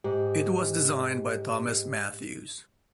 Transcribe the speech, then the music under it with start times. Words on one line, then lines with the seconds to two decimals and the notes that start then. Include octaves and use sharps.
It was designed by Thomas Matthews.
0.04 G#2 G4